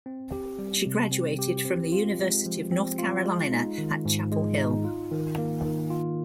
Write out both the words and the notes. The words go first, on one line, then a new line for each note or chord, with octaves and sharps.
She graduated from the University of North Carolina at Chapel Hill.
C4
G4
G3
C3
C4
G4
C4
F4
G#3
F3
C4
F4
G#3
D#4
D#3
G#2
G#3
D#4
F4
D#3
A#3
D#3
F4